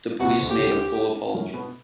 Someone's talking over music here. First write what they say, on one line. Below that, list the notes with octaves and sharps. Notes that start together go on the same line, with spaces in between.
The police made a full apology.
C2 C3 F#4
D2 D3
G4
D2 D3
F#2 F#3
B2 B3